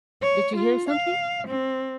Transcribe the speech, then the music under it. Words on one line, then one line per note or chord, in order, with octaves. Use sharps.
Did you hear something?
C#5
F4
F5
C4